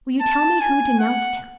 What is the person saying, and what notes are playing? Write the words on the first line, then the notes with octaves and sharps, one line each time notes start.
"Will you tell me who denounced him?"
A5
G#5
F#5